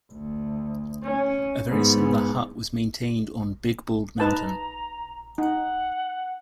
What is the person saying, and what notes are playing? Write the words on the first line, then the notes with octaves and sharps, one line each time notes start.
A very similar hut was maintained on Big Bald Mountain.
D2
C#4
G#2 B3
D#4 B4 A5 A#5
D#4 F#5